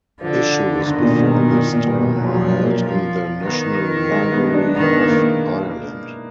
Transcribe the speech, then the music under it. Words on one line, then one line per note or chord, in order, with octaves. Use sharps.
Issues before this time are held in the National Library of Ireland.
D3 F3
D3 D#3
B2
A#2
B2
B2
A#2
A#2
B2
F3 F#3
F#3
F#3
A#3
F3
D#3 B3
G#3
B3
D4
D#3 B3
B3
A#3